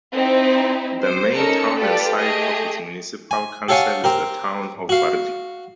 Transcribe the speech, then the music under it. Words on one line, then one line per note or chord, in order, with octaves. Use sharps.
The main town and site of its municipal council is the town of Varde.
C4 D#4 E4
C5
C#4 D#4 A4 A#4 E6 C#7
F4 G4 A4 B4 D5
A3 G4 G#4 D#5
G#5
G4 A4 C#5 F5 F#5 G#5
C4 G4 A#4
F#4 F5